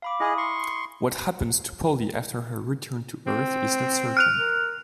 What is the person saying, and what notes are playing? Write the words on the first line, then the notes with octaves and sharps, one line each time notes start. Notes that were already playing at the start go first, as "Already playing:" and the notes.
What happens to Polly after her return to Earth is not certain.
F5 B5 D6
E4 G#4 D#5 B5 D#6
C6 C#6
C4
F6 F#6 F7
A#4